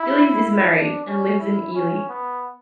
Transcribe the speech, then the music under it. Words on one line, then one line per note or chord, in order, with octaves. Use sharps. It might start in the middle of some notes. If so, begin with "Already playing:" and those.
Gillies is married and lives in Ely.
Already playing: E4
D4
C#4
E4
C#4
B3